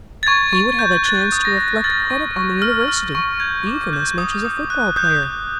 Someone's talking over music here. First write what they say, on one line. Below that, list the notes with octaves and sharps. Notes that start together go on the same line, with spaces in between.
He would have a chance to reflect credit on the university even as much as a foot-ball player.
A6
C#6 G#6
C#6
G6
F#6 A6
D#6
A#6
F#6
F6 A6
C#6
C#6
F6
F6
C#6
G6 G#6
D6
G6
D#6
D#6
F#6
D#6 G6
G6